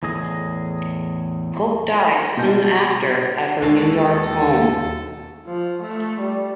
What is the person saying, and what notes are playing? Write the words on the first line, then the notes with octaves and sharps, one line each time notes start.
Pope died soon after at her New York home.
E2 A2 G#4 D#5
B2 F#4 D#5 G#5 A5 G6
D#2 B2 G#3 A4 A5
F3
A3
G3